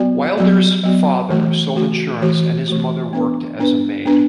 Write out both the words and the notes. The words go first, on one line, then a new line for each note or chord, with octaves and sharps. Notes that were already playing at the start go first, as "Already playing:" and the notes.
Wilder's father sold insurance and his mother worked as a maid.
Already playing: F#3 B3 F#4 D5
F#3 B3 F#4 D5
F#3 B3 F#4 D5
E3 A3 F#4
E3 A3 F#4
E3 A3 F#4
E3 A3 F#4
B3 D4 B4
B3 D4 B4
B3 D4 B4